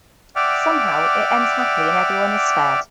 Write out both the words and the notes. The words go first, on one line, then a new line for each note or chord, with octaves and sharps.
Somehow, it ends happily and everyone is spared.
D5 E5 F#5 G5 D6 F6